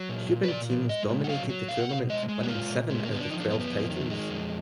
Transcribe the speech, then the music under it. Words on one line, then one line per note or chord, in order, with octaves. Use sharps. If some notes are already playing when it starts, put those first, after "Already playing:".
Cuban teams dominated the tournament, winning seven out of twelve titles.
Already playing: F#3
A#2
A#2
B4
A#2 D5
F3
G#3 D#5
A#2
F#5
F#3 F5
F#3
B2 F5
F#5
B2 F5
G#3 D#5
G#3
F#4
A#2 F4
A#2
G#3
A#3
D3 B3
D4
F3 D#4
D4
F#2 B3
B3
F2
D#3
G#3
F2